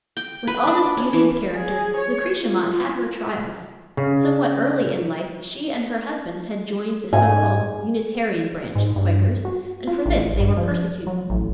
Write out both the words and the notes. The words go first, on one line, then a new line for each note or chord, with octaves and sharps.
With all this beauty of character, Lucretia Mott had her trials. Somewhat early in life she and her husband had joined the so-called Unitarian branch of Quakers, and for this they were persecuted.
G5
B4
D4
C#4
E3
G#4
C#5
F4
C#3
G#2 G#5
G#2
G2
F#4
F4
A1
G2
F3
F#3
A1